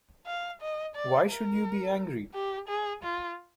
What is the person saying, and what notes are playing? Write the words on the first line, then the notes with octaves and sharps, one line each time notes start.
Why should you be angry?
F5
D#5
D5
A#4
G4
G#4
F4